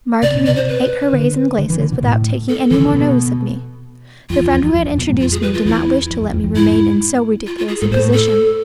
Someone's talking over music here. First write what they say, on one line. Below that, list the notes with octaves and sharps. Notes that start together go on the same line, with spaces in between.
Marguerite ate her raisins glaces without taking any more notice of me. The friend who had introduced me did not wish to let me remain in so ridiculous a position.
C3 D5
B2
C3 D5
C5
B4
D3
D3
E3
D3
B2
A2
A4
E3 A4
D3
C3
B2
F2 F4
E2
E2
F2
F2
F2
B2
G#2
F2 F4
G#4
B4
F4
E2 E4
F2
F2
F2
F2
G#2 E4
F4
F4
G#4
G#2 A4
A2 C5
A4